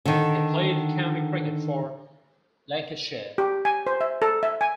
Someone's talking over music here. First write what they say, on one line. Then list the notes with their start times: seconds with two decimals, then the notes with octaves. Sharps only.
He played County Cricket for Lancashire.
0.05 D3 D#3
3.38 G4
3.65 G#5
3.87 C5
4.01 E5
4.22 A4
4.43 E5
4.61 G#5